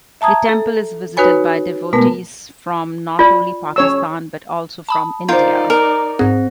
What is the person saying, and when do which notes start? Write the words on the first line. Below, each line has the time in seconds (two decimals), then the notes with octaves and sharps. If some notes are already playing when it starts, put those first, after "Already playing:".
The temple is visited by devotees from not only Pakistan but also from India.
0.21 E5 A5 A#5 D#6 G#6
0.49 A4
1.17 D#4 F#4 B4 C#5 G#5 B5
1.93 B2 G#3 A3 B3 A#4 B4
3.19 F4 D5
3.76 C#4 C#5 E6
4.89 A5 B5 D#6
5.29 D#4 F4 A#4 C5 D5 G6
5.70 A#4
6.19 G#2 C4 G#4